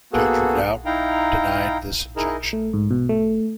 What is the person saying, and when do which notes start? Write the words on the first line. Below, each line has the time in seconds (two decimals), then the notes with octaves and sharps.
Judge Rideout denied this injunction.
0.13 A#3 B3 F#4 G#4 A4
0.86 D#4 E4 F5 G5 A#5
2.16 D#4 E4 G#4 A#4 D#5
2.53 A3
2.73 G#2
2.91 B2
3.09 A3